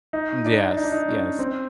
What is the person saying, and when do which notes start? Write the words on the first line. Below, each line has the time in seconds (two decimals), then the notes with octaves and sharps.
Yes, yes.
0.13 D#4
0.45 D4
0.77 D#4
0.83 D4
0.92 D#4
1.08 C#4
1.39 C4